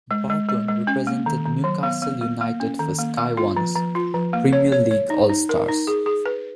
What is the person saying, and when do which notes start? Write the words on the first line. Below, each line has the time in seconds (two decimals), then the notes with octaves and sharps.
Barton represented Newcastle United for Sky One's "Premier League All Stars".
0.11 G#3
0.30 G#3
0.49 G#3
0.68 G#3
0.87 C#4
1.07 A#3
1.26 D#3
1.45 D#3
1.64 F#3
1.83 B3
2.02 B3
2.21 B3
2.41 A#3
2.60 C#4
2.79 D#3
2.99 A#3
3.17 B3
3.37 F4
3.57 F3
3.75 F3
3.95 F4
4.14 F3
4.33 A#3
4.53 C#5
4.72 C#5
4.91 C#5
5.10 D#4
5.30 D#4
5.49 A#4
5.69 D#4
5.87 G#4
6.06 G#4
6.26 B4